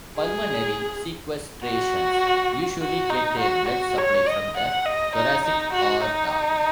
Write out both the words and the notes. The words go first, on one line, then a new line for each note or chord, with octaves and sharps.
Pulmonary sequestrations usually get their blood supply from the thoracic aorta.
G#4
F#4
F#4
D#4
F#4
F#4
C#5
D#5
F#5
D#5
D#4
D#4
F#4
D#4